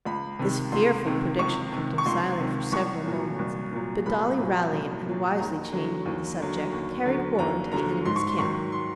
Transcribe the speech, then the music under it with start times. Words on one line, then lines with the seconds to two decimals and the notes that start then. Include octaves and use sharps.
This fearful prediction kept him silent for several moments; but Dolly rallied, and wisely changing the subject, carried war into the enemy's camp.
0.05 C#2 B5
0.39 C3 D#3
0.72 C#2 C6
1.06 C3 D#3
1.39 C#2 C#6
1.72 C3 D#3
1.98 C#6
2.06 C#2 C6
2.39 C3 D#3
2.72 C2 C#6
3.06 A#2 F#3
3.39 C2
3.72 A#2 F#3
4.06 C2 B5
4.39 A#2 F#3
4.72 C2
5.05 A#2 F#3
5.39 D#2 A#5
5.72 D3 F#3
6.05 D#2
6.39 D3 F#3
6.73 D#2
7.06 D3 F#3
7.39 D#2 A#5
7.72 D3 F#3 A#5
8.05 G#2 C6
8.16 C#6
8.27 C6
8.39 D#3 F#3 C#6
8.72 C6